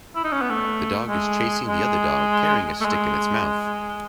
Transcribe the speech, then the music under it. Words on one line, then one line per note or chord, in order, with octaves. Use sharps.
The dog is chasing the other dog carrying a stick in its mouth.
E4
D#4
C#4
B3
A3
G#3
G#3
A3
G#3